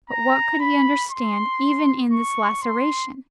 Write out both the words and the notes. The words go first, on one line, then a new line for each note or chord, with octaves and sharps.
But what could he understand even in this "laceration"?
A#5
B5
C6
C#6
C6